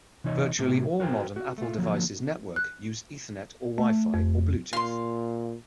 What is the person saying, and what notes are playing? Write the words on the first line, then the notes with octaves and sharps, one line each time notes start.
Virtually all modern Apple devices network use Ethernet or Wi-Fi or Bluetooth.
C3 E3 D#4 C#5 D#5
A2 C3 G4
F#4 A#4 C5 G5
F#4
A3 F4
D3 F3 F#3 A#3
F#6
A3
F2
A#2 F5 C6